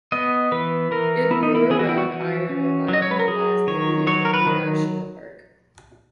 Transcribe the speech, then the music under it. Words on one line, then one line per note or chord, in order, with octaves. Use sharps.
It grew around iron ore mining and lies near the Ivindo National Park.
B3 D#5
E3 B4
E3 A#4
B3 E4
D#4
E4
E3 G#4
F#4
E4
F#4
E3
C#4
F#3 D#5
C#5
B4
A#4
F#3 G#4
D#3 C#5
F#3 C#5
A#4
B4
D#3